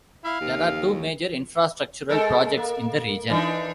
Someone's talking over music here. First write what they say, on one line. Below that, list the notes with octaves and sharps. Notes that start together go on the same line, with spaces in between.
There are two major infrastructural projects in the region.
E4 F5
D#2
G#3 A4 A#4
A#3
E3 D4 D#4